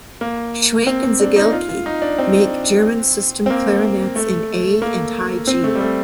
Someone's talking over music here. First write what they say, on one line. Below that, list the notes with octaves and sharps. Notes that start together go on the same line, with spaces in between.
Schwenk and Seggelke make German system clarinets in A and high G.
A#3
C4
C4
D4
D#4
F4
F4
D#4
D4
C4
C4
A#3
A3
A#3
C4
A3
G3
A3